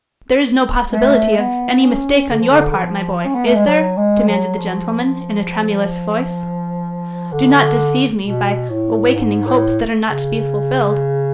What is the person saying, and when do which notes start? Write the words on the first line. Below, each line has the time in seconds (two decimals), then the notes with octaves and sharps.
There is no possibility of any mistake on your part, my boy, is there?' demanded the gentleman in a tremulous voice. 'Do not deceive me, by awakening hopes that are not to be fulfilled.'
0.93 A3
1.38 B3
1.85 C#4
2.30 D3
2.41 F3
2.50 D3
2.70 D3
2.76 F3
3.25 C#4
3.35 B3
3.46 A3
3.56 G#3
3.67 F#3
3.97 G#3
4.28 F#3
4.58 F3
5.04 F3
7.32 D3
8.23 B2
8.70 A2
9.15 G#2
9.46 A2
10.07 C#3